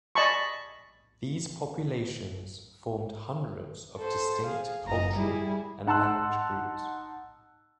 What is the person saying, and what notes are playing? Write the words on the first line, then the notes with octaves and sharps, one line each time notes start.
These populations formed hundreds of distinct cultural and language groups.
D5 D#5 G#5 A5 B5 C#6
A4 C5
G#4 F5
F#1 D#5 A#5
G3 E4 G#4
D#4 F#5 A5 C6 E6 F#6